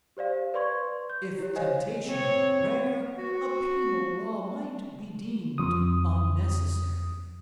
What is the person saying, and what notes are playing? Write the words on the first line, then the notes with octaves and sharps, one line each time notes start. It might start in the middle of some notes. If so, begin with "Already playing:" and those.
If temptation were rare, a penal law might be deemed unnecessary.
G4 C5 D5 F5
B4 D5 C6 C#6 G#6
G6
E4 G4 C#5
C5 C#5 D#5 F5 G#5
C4 C#5
F#4
F2 D#6